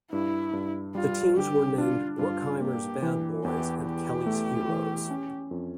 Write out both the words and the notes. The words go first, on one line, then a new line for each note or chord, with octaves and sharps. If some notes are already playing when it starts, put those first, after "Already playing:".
The teams were named Bruckheimer's Bad Boys and Kelley's Heroes.
G2 E4
G2
G3 F4
D3 G4
D4 F4
G2 F4
A#3 G4
E3
E2 G4
E2 G4
A3
E3
C#4
F2